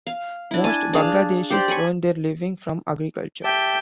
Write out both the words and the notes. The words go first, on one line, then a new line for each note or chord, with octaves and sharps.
Most Bangladeshis earn their living from agriculture.
F5
D4 E4
G#5 A5
D4 G#4 F5 A5
G4 A4 C5 D5
A4 G#5 B5 C#6
G4 E5 G5 A5